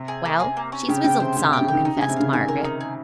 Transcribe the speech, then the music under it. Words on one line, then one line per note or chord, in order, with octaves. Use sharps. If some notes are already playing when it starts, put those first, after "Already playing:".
"Well, she's wizzled some," confessed Margaret.
Already playing: C3
G#4
A#3
G#4
A#3
C#4
C#3 G4
C#3 G5
C3 C5
C3 G4
C3 G5
C#3
D#3 G4
D#4
C#3 G#5
C3
C#3 F5
D#3 G#5
A#4
D#4
G#4